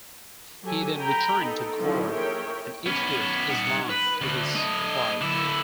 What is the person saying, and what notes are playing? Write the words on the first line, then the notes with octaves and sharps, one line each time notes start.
He then returned to Ghor and introduced Islam to his tribe.
F#3 G4 A4 G#5
G5 A#5 B5
B3 D#4 A4
D3 F3 F#3 C#4 D#4 E4
A#3 G#4 A#4 C#5 E5 G5
B3 C#4
D#4 F#5
B4
D2
A3 D#5
D3 E4